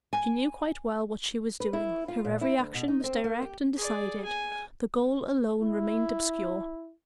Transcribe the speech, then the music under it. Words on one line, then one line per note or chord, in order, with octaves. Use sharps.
She knew quite well what she was doing, her every action was direct and decided, the goal alone remained obscure.
G#5
B4
E4
F4
A#2
E4
D2
B2
D#4
C4
A#3
G4
G#4 D5
G#5
E4